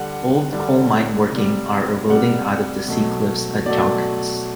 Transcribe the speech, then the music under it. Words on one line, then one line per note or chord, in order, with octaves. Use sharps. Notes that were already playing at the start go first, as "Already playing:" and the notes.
Old coal mine working are eroding out of the sea-cliffs at Joggins.
Already playing: D3 G3 F#5
D3 G3
C3 G3
C3 G3 F#5
B2 F#3 A3
B2 F#3 A3 D5